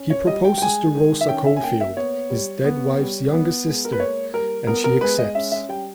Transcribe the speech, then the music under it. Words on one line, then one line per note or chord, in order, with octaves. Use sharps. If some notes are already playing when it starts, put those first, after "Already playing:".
He proposes to Rosa Coldfield, his dead wife's younger sister, and she accepts.
Already playing: C#4
C#5
G3 D#5
G5
G5
G#3 G#5
D#3
E5
C#4 G5
E5
G#5
A#3 G5
E5
B3 C#5
G3
B3
G3
B3
G#3
A#4
B4
A#3 C#5
G3 A#4
B3 A#4
A#4
G#3 B4
D#5
C#4 E5
E5
G3 G5